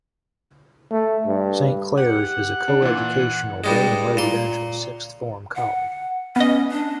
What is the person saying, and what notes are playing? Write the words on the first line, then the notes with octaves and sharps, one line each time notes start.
Saint Clare's is a co-educational day and residential sixth form college.
A3
G2
G4 F#5
D4
A#2 E3
G2 G3 G#3
A#2 C6
F#5
B3 C#4 D#5
D4